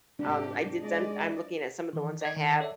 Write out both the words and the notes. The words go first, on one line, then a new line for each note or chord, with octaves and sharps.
Um, I did some I'm looking at some of the ones I have.
G#2 C3 D4 G4
G#3 D5 D#5
D#3 E3
D5 D#5 G#6
D#3
A4 C#5 D5 E5